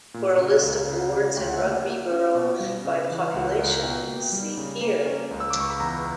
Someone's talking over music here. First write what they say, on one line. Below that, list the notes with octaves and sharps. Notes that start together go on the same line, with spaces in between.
For a list of wards in Rugby borough by population see here.
A#2
C#3
C#2
C#3
C#3
D2 G5
F#5
A#3 E5
F#5
A#3
C#4
B2
G3
C#3
E3
C#2 F#5
C#2
B2 G5
A#3
G3
C#3
A#3
C#4
C#2
E6
D6
C#2 C#6
B5
E2 A#5